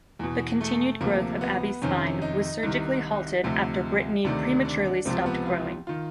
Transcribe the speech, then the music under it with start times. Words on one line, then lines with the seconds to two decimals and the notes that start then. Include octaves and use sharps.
The continued growth of Abby's spine was surgically halted after Brittany prematurely stopped growing.
0.19 E2 B2
0.61 A3
1.01 D2 C3 F3 A#3
1.41 B3
1.82 F2 C3 D#3 C#4
2.22 D#4
2.63 C2 C3 D#3
3.44 D2 C3 F3
4.24 D2 C3 D#3 D4
4.65 D4
5.05 C#2 C3 F3 C4
5.26 B3
5.46 F4
5.87 D#3 F4